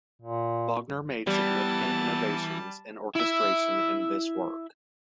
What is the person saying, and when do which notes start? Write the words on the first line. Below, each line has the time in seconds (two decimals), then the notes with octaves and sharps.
Wagner made significant innovations in orchestration in this work.
0.21 A#2
1.27 E3 G3 B3 A5
3.16 E4 E5